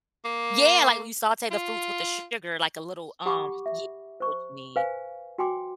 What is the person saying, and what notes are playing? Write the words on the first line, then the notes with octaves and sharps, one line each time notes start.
Yeah, like, when you saute the fruits with the sugar, like, a little um Y what you mean.
A#3
F4
G4 F#5 B5 C#6 D6
E5
C5 C#6
B4 C5 F5 G#5
F#4 G5 G#5 C6 D6